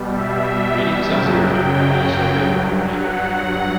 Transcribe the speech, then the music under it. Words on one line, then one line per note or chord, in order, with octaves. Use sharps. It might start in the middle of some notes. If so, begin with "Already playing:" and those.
Readings of zero have also been recorded.
Already playing: B2 G3
E5
E5
F#2 C#3 F#3 G5
G5
G2 F#3
F#5